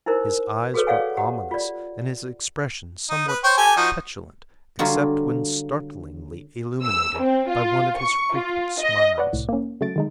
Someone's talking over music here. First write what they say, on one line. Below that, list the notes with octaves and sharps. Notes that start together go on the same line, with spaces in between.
His eyes were ominous and his expression somewhat petulant except when startlingly illuminated by one of his frequent smiles.
D#4 E4 A#4 C5
F#4 G#4 A4 B4 C#5
G#4 C#5 D5 F5 F#5 G#5
G4 F#5
F4 D5
D#4
B4
C5 C#5 G5
G4 A4 G#5
F3 D#4 F#4
D3 F#3 G3 F4
E6
C4
F4
C#6
F4
D#5
B4 C#5 D5 F#5
C2 A2
A#3 C#4
C#3 F#3 A3 A6 D7
D#3 G#3 D#4